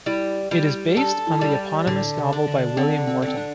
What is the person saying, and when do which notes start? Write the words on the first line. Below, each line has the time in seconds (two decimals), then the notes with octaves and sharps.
It is based on the eponymous novel by William Wharton.
0.06 G3 E4
0.51 G3 E4
0.97 D4 A4
1.27 E4
1.41 G3
1.86 A2 D3
2.17 C3
2.33 D4
2.47 D3
2.77 D3 C4
3.07 C4
3.22 D3
3.28 C4
3.37 D4